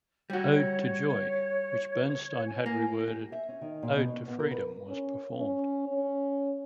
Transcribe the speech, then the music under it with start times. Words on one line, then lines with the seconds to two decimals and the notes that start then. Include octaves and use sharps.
"Ode to Joy", which Bernstein had reworded "Ode to Freedom", was performed.
0.30 G3 F#4 C#5
2.46 G#5
2.66 A#3
3.08 G4
3.32 E5
3.49 C#4
3.61 D#3
3.83 A#2
3.95 B2
4.08 C#4
4.28 B3
4.39 A#4
4.51 B4
4.87 C#4
5.36 C#4
5.88 C#4